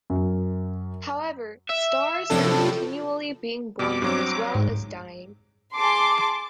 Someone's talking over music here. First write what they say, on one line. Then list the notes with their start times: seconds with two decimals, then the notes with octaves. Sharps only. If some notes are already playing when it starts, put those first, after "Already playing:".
However, stars are continually being born as well as dying.
0.10 F#2
1.69 E5
2.30 F#2 A2 C3 F3 D4 A4
3.79 F2 B2 D6
4.02 G2 F#3 C4
4.55 G#2
5.75 G#4 A5 C6 D6